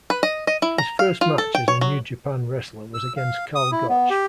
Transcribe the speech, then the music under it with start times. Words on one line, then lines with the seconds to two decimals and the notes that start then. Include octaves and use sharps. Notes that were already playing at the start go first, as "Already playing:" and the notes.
His first match as a New Japan wrestler was against Karl Gotch.
0.10 B4
0.23 D#5
0.47 D#5
0.62 E4
0.78 A#5
0.99 F5
1.21 F4
1.38 A4
1.55 G5
1.68 C#5
1.81 F#3
2.94 E6
3.17 F5
3.55 D#6
3.72 E4
3.89 B3
4.10 G4